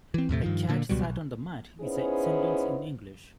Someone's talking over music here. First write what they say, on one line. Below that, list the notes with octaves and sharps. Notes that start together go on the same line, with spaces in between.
"The cat sat on the mat" is a sentence in English.
E3 C4
D#2 A2 C3 A3
G2 D#3 F3
A#2 D3 A#3
C#2 B2 F#3 G3
B1
B3 C#4 D#4 E4 G#4 C5